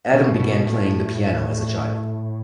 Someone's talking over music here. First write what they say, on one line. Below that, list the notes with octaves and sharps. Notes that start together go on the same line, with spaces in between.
Adam began playing the piano as a child.
B2
B2
A2